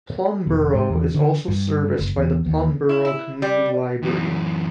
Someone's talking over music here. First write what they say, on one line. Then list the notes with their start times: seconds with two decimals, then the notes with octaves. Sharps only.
Plum Borough is also serviced by the Plum Borough Community Library.
0.47 E1
0.74 G#2
0.90 E2
1.14 D3
1.48 G2
1.99 F#1
2.17 E2
2.46 D#2
2.89 E4
3.05 E4
3.42 G3
4.03 F#2 E3